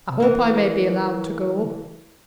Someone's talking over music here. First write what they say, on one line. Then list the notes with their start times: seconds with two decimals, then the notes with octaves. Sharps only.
'I hope I may be allowed to go?'
0.20 E3 A#3